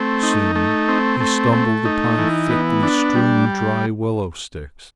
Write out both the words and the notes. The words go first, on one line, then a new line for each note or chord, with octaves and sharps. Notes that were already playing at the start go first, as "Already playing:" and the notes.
Soon he stumbled upon thickly strewn dry willow sticks.
Already playing: A3 C4
D#4
A3
C4
A3
A3
D#4
E3
B3
D4
G3